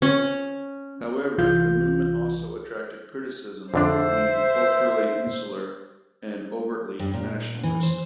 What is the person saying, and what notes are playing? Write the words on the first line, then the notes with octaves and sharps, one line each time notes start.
However, the movement also attracted criticism for being culturally insular and overtly nationalist.
C#4
C2 E3 F4 G6
F2 D3 D4 C5 E5
G2
A#2
E3
C5